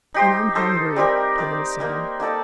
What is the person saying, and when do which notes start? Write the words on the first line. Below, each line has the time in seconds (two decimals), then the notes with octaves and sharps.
"And I'm hungry," put in Sam.
0.14 D#4 G4 C5
0.55 D#4 A4 C5 D#5
0.96 G3 C4 G4 A#4
1.38 D#4 A#4 D5
1.79 A#3 D#4 A#4 D#5
2.20 A#3 D#4 A4 D5